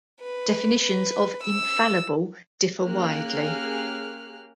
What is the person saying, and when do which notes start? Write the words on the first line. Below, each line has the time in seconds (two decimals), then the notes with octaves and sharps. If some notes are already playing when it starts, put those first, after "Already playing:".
Definitions of 'infallible' differ widely.
0.21 B4
0.84 B4
1.43 E6
2.83 A#3 C#4 G4 G#4 F6 F#6